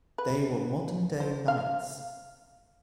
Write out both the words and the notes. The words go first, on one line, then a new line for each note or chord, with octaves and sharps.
They were modern-day knights.
B4
C5
F5